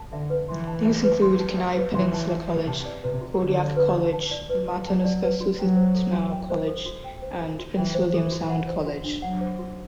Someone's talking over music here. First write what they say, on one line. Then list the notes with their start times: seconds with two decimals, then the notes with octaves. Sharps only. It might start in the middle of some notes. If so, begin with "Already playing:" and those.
These include Kenai Peninsula College, Kodiak College, Matanuska-Susitna College, and Prince William Sound College.
Already playing: A5
0.12 D3 E5
0.30 B4
0.48 E3 C6
0.67 A5
0.85 E5
1.04 B4
1.22 C6
1.39 A5
1.58 E5
1.76 B4
1.94 E3 C6
2.13 A5
2.31 E5
2.49 B4
2.67 C3 A5
2.86 D5
3.03 C3 B4
3.21 F#4
3.40 D3 A5
3.58 D5
3.76 B4
3.95 F#4
4.13 A5
4.31 D5
4.50 B4
4.67 F#4
4.86 F#3 A5
5.04 D5
5.23 B4
5.41 F#4
5.58 F#3 G5
5.77 C5
5.95 A4
6.13 F#4
6.31 G5
6.50 C5
6.68 A4
6.86 F#4
7.04 G5
7.22 C5
7.41 A4
7.59 F#4
7.77 E3 G5
7.95 C5
8.14 E3 A4
8.32 F#4
8.50 F#5
8.68 C5
8.86 F#4
9.04 D4
9.22 F#3 F#5
9.41 C5
9.59 F#4